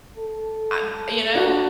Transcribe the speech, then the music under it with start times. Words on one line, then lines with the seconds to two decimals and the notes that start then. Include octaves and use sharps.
I'm you know
0.17 A4
1.35 D4 F#4